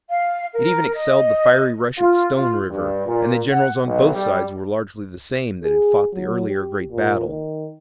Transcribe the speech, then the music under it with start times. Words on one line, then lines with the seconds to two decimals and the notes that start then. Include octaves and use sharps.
It even excelled the fiery rush at Stone River, and the generals on both sides were largely the same that had fought the earlier great battle.
0.09 F5
0.54 A#4
0.96 D#5
1.98 F4
2.34 F4
2.69 G2
3.06 A#2
3.50 F#5
3.85 B1
4.13 G3
5.63 G#4
6.15 F#3
6.48 G4
6.92 A#2
7.28 D#3